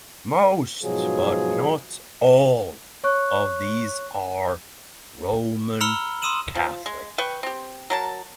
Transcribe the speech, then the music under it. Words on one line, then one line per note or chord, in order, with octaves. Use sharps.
Most, but not all, of these are Roman Catholic.
G#2 B2 F3 F#3 G#4
C#5 C#6 F#6
A#5 B5 E6 F6 C#7 G7
C6 D#6 E6 D#7 E7 F#7
F3
G#3
B4 G5 C#6
C4 G4
F#3 A#4 A5